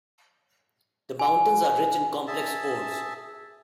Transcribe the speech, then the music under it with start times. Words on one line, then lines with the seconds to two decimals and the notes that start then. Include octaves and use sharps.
The mountains are rich in complex ores.
1.19 G#5
2.27 G#4 E5 A5